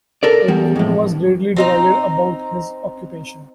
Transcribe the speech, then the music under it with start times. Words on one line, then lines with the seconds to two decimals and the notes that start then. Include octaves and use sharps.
Opinion was greatly divided about his occupation.
0.23 A4 A#4 D5
0.48 E2 G3
0.76 F2 A2
1.56 C4 D#4 A#5